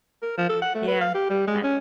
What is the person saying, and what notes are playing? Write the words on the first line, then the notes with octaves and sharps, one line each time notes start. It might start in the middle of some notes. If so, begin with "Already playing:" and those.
yeah, uh
A#4
F3
A4
F#5
A3
B4
F5
G4
G3
G#3
C#4